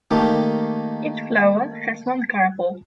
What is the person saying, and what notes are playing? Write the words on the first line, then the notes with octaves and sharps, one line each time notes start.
Each flower has one carpel.
D#3 A3 A#3 D#4 G4